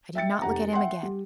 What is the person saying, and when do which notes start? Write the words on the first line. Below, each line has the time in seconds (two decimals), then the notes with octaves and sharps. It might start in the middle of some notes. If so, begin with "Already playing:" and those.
I did not look at him again.
0.15 E5 G5 A6 C#7
0.42 F1 G4 F#5 A#5
0.73 E5 F#5 G5 C6
1.03 G3